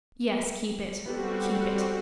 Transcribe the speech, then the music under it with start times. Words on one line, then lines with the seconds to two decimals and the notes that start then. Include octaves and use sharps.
"Yes, keep it--keep it."
1.06 G3 B3 C4 F#4 G4 A4